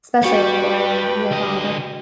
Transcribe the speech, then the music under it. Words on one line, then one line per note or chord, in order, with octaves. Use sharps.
Especially in Florida, oh my God, that
G2 G3 F#4 B4 G5 C#6 C#7
D3 D#5